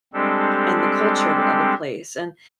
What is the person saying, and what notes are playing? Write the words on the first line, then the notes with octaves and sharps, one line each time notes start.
and the culture of a place." And,
G3 G#3 C4 D4 G4 A4